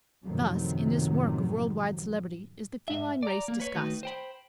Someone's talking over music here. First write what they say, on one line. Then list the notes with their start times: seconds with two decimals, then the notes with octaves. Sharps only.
Thus, in this work of world-wide celebrity, is the feline race discussed.
0.23 F#2 A2 C3 D#3 F3 F#3
2.88 G#2 E5
3.23 D5 A#5
3.48 A#3
3.60 B4 C#5
3.75 D#3 A3 D#4 F#4 B4
4.03 C5 G5 B5